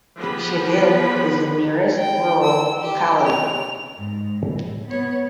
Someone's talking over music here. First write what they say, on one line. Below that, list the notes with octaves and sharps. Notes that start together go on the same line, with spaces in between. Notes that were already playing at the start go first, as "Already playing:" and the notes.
Shidib is the nearest rural locality.
F3 B3 G4 G#4 B4 B5
G5
E6
G4
F7
G#2
A2
B3 C#5